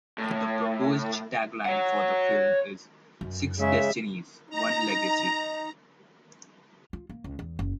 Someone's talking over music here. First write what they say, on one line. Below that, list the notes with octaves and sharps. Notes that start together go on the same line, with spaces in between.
The proposed tagline for the film is "Six Destinies - One Legacy".
A2
C#5 F#5
F#2
C#3 G#3 E5
D#4 A#5
F4
A#3
C#2
E2
F#1